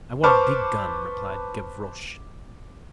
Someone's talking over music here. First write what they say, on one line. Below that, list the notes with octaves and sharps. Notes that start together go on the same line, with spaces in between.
"I want a big gun," replied Gavroche.
B4 C5 A5 C#6 D6 F6